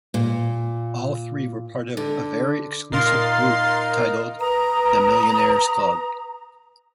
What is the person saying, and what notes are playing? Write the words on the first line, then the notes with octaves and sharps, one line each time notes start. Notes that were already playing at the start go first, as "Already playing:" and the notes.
All three were part of a very exclusive group titled "the Millionaires' Club".
A#2
D3
A#2 D#4 A#4 F5 C6 A6 C7
B4 A#5 D#6